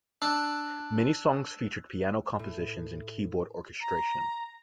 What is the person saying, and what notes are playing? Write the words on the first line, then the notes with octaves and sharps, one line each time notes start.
Many songs featured piano compositions and keyboard orchestration.
D4 E6 F#6
A2
A#5